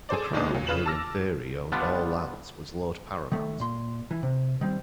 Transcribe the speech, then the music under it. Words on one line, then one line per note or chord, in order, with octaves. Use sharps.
The Crown, who in theory owned all lands, was "lord paramount".
G#4 A4 C5 D5
D#3 G#3 A#3 B3 D4 D#4
A#2 F#3
C#3 F4 B4 E7 F#7
A5 D6 E6 F6 A#6
G3 B3 D4 F4
D#3 A3
A#2 C6
E3
C3
D#3 G3 C4